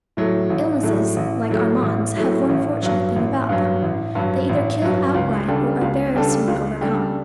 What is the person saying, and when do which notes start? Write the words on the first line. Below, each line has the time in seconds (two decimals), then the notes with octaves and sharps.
Illnesses like Armand's have one fortunate thing about them: they either kill outright or are very soon overcome.
0.17 A2 F#3 A3
0.50 A1
0.83 A2 F#3 A3
1.16 A1
1.50 A2 F#3 A3
1.82 A1
2.16 A2 F#3 A3
2.49 A1
2.82 G2 F#3
3.16 A1
3.49 G2 F#3
3.82 A1
4.15 G2 F#3
4.49 A1
4.82 G2 F#3
5.14 C#2
5.48 C#3 G3 D4 A4
5.81 C#2
6.15 C#3 G3 D4 A4
6.48 C#2
6.81 C#3 G3 D4 A4